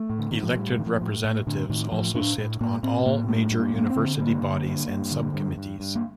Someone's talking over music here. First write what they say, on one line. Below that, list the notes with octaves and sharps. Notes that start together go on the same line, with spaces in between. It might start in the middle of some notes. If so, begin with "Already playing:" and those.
Elected representatives also sit on all major University bodies and subcommittees.
Already playing: A3
A2
D3
A2 D#3
F3
A2 G3
A2 D#3
F3
A2
A2
A2 D3
A2 D#3
A2 F3
A2 D4
A2
A2 A#3
A2 C4
A2 A#3
G2 A3
G2
A#3
G2 A#3
C4
D3
G2 A#3
D3
G2
G2
D3
G2
G2
G2
A#3